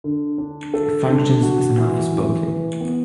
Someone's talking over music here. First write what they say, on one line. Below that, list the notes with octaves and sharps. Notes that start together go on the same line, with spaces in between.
It functions as an office building.
D3
D4
A4
D4
F#4
E3
E3
B4
B3